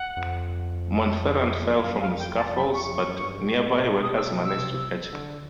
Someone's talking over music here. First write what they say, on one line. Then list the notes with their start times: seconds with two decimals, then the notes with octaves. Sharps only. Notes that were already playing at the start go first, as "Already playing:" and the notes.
Montferrand fell from the scaffolds, but nearby workers managed to catch him.
Already playing: F#5
0.17 F2
1.82 F#2 F5
2.00 F5
2.09 F2
2.19 G5
2.37 F2 A5
2.55 F#2 B5
2.64 F2
2.74 C#6
2.92 F#2 C#6
3.20 G2
3.40 A#2
3.47 A2
4.02 B2 D#6
4.16 E6
4.44 E6
4.58 C3
5.13 D3